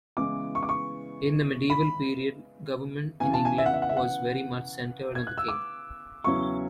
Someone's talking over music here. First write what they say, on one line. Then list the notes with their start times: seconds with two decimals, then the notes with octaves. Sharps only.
In the Medieval period, government in England was very much centred on the King.
0.17 C#3 E3 G#3 B3 E4 D6
0.55 C#6
0.63 D6
0.69 C#6
1.70 B5
3.20 C#3 E3 B3 G#5
3.33 A5
3.45 G#5
3.58 E5
3.66 F#5
3.74 E5
3.82 F#5
3.89 E5
3.97 F#5
5.15 G#6
5.27 F#6
5.38 E6
5.48 D6
6.24 E2 C#3 F#3 C#4 E4 C#6